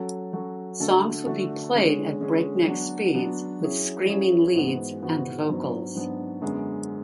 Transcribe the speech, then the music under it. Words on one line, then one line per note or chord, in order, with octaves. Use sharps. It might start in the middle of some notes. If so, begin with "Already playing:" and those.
Songs would be played at breakneck speeds, with screaming leads and vocals.
Already playing: F#3 C#4 F#4 A4
F#3 C#4 F#4 A4
D3 A3 D4 F#4 A4
D3 A3 D4 F#4 A4
D3 G#3 C#4 G#4
D3 G#3 C#4 G#4
F#3 B3 D4 F#4
F#3 B3 D4 F#4
F#3 C#4 E4 G#4
F#3 C#4 E4 G#4
G#2 E3 G#3 B3 F#4
G#2 E3 G#3 B3 F#4
G#2 F#3 B3 D4
G#2 F#3 B3 D4
F#2 D3 G#3 B3